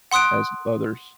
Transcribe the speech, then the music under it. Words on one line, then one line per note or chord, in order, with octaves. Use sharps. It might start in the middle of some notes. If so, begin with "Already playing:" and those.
as others,
F#5 C6 D#6 F#6 D7